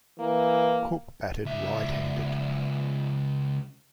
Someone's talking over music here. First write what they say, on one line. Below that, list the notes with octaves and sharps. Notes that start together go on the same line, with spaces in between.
Cook batted right handed.
E3 A#3
C#2 E5